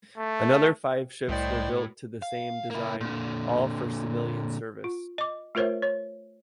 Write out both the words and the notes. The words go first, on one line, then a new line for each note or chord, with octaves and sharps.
Another five ships were built to the same design, all for civilian service.
A3
C2 A2 C5 D5 D#5 G5
F5
A#3 E4
A#2 D3
F4
D#5 D6
A3 F4 A#4 C5 C#5 E5
C#5